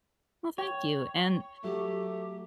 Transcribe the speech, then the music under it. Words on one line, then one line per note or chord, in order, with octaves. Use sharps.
Well, thank you. And
C#5 G5
F#3 A3 G4